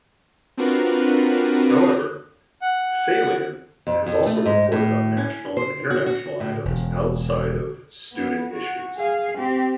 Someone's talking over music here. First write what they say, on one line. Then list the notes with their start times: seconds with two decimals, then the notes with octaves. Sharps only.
However, "Salient" has also reported on national and international items outside of "student" issues.
0.57 C4 D4 F4 F#4 A#4 B4
2.62 F#5
3.87 F2
4.07 F2
4.26 A3
4.46 G#2
4.72 A2
5.17 C#4
5.57 C5
5.90 F#4
6.06 F#4
6.40 A2
6.65 E1
8.13 B3
8.53 F#4
8.97 G#4 F5
9.38 C4 G4